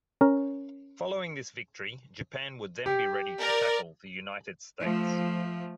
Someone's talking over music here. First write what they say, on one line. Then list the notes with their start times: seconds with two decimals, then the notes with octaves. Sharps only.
Following this victory, Japan would then be ready to tackle the United States.
0.21 C#4 A#4
2.86 G4
3.39 A#4 D5
4.81 F3 A3